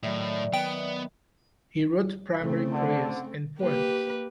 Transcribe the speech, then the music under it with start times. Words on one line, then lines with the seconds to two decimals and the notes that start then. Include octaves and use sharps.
He wrote primarily prayers and poems.
0.03 A2 D#3 F#3 D5 E5
0.53 D#3 B3 G5
2.41 C#3 A3 C4
2.71 D2 D3
3.59 A#3 G4 B4